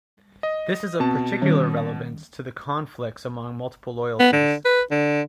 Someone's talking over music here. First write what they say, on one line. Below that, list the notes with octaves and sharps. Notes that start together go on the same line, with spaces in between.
This is of particular relevance to the conflicts among multiple loyalties.
D#5
B2 C4 A5
D#3 G3 C#4
B3
D3
B4
D3